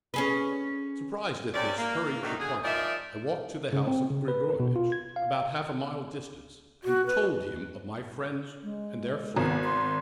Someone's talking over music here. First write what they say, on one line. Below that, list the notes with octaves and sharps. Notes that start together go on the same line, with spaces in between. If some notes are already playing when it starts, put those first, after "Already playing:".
Surprised at this hurried departure, I walked to the house of Grigorovitch, about half a mile distant, and told him of my friends and their flight.
C#4 G#4 B4
F#2 C3 C#4 D5
A#3
D2 D#3 F#3 A3 D4 D#4
D3 G#4
F3 G#3 D#4 A#4 D5 E5
C#3
C4
C#3
B4
B2
F4
G#6
F5
F#4
B4
G#3
G#1 B3
C6